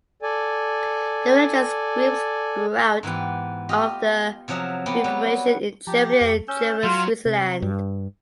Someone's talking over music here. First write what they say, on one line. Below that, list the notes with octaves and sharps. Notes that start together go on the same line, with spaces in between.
The religious groups grew out of the Reformation in Germany and German Switzerland.
A4 D5 G#5
G#2 E3 B3 G4
F4 G4 D#5
C3 F3 F#3 G#4 E5 A#5
A#3 B3 G4
F#3 G3 G4
F3 G4 A5 A#5
F2
C#4 E6 G6
F#3 F4 C6
C3
G2